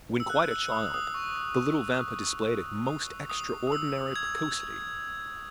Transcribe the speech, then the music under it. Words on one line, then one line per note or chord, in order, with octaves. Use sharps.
When quite a child, the little Vampa displayed a most extraordinary precocity.
E6
F#6
E6
D#6
D#6
C#6
D#6
D#6
D#6
E6
G#6